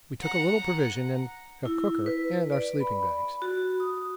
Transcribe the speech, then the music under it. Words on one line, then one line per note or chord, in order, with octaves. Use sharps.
We took a little provision and a cooker and our sleeping-bags.
F#5 A#5
E4
B4
D5
B5
F#4
D#6